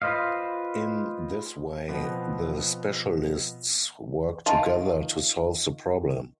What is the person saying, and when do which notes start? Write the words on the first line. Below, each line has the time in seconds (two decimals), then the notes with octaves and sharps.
In this way, the specialists work together to solve the problem.
0.02 F4 B4 C5 D#5 F5
1.88 B2 F3 B3 C4
4.46 D#3 F4 A5